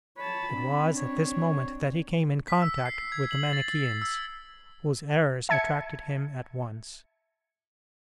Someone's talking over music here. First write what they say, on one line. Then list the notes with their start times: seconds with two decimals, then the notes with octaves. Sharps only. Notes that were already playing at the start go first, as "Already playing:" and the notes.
It was at this moment that he came in contact with the Manicheans, whose errors attracted him at once.
0.18 C#5 A5 B5
0.55 C4 D4
0.97 C#5
2.48 B6
2.62 E6
2.85 C7
3.12 G#6
3.31 F#7
3.53 A6
3.75 C7
4.02 E6
5.49 E5 A5 G#6 C#7